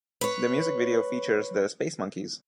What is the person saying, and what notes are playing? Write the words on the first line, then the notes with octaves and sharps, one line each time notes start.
The music video features the Spacemonkeyz.
B4 C#5